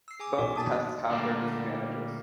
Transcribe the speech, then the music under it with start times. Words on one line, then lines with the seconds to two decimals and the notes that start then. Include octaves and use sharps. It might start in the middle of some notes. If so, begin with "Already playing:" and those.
Both tests have their disadvantages.
0.08 E6 C7
0.20 G#4 G#5 D6
0.38 B1 F#4
0.56 A#3 A5 D6 A6
0.71 F#4
1.10 A#2 D3 G3 A3 A#3